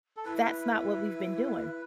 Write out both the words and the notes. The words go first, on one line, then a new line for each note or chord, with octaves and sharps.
That's not what we've been doing.
A4
E4 B4